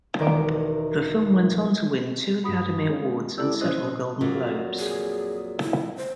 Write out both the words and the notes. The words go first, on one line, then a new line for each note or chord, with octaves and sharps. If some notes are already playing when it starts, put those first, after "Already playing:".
The film went on to win two Academy Awards and several Golden Globes.
E1 D#3 D5 D7
G2 F#4 B5 D#6 B6
G#3 C#4 F4
G#3 E4 G4 A4 D5 E6
A#2 C#4 C5 D#5 F#6
F2 A#2 F#3
G#4
E4
C5